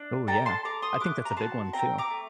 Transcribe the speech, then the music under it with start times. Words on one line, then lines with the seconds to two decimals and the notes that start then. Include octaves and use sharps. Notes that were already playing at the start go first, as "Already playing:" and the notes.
Ooh yeah. I think that's a big one too,
Already playing: D4
0.27 A4 G5 A#5
0.46 A5 C6
0.64 A4 A#5 D6
0.82 C6 D#6
1.00 A3 D6 F#6
1.25 A#5
1.37 F#4 A5 C6
1.73 C4 G5 A#5
1.98 A#5 D6
2.10 A3